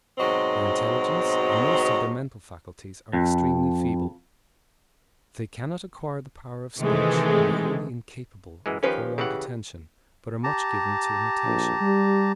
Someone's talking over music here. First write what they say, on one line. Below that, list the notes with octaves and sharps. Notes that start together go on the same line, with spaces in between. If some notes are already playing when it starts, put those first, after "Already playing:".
Their intelligence, and most of their mental faculties, are extremely feeble. They cannot acquire the power of speech, and are wholly incapable of prolonged attention, but are much given to imitation.
G#2 B2 F#3 C4 D#5
F2
C3 D#3 E3 G#3 A3
F#2 E3 G#3
D#3 F3 C#4 G4 B4 C5
C#3 E3 G4 F#5
G4 A5 A#5
A#1
G3